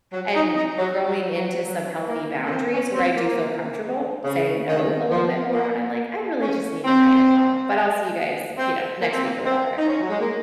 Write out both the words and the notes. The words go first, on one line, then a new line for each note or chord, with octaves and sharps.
And growing into some healthy boundaries where I do feel comfortable saying "No" a little bit more when I'm like, "I really just need a night at home, but I'll see you guys, you know, next week or whatever."
F#3
D#4
D#4
F#3
F#3
F#3
F#3
A#3
A#3
C4
C#4
C4
A#3
C#3
D#3
F3
A#3
C#4
C4
C4
A#3
C4
A#3
C4
D#4
C#4
F#3
G#3
A#3